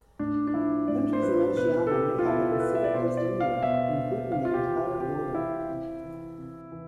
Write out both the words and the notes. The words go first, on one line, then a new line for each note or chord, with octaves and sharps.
Countries in Oceania may have a Pacific coast anywhere, including their entire border.
A2 D4
D4
F3 E4
A2 D5
C5
F3 B4
B2 B4
A4
G4
F4
B2 E4
A4
B4
E5
D5
B2 C5
D5
F5
B2 E5
C3 F5
F4
G4
E3
C3 G4
E3 E4
C3
E3
C3
E3